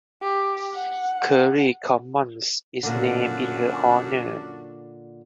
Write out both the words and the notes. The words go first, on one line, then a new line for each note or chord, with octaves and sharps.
Curry Commons is named in her honor.
G4
F#5
F#2 A#2 D3 D4 F#4